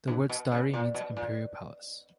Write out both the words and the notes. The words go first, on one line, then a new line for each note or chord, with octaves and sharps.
The words "dairi" means "imperial palace".
G2
B2
C#3
A#2
B2
A#2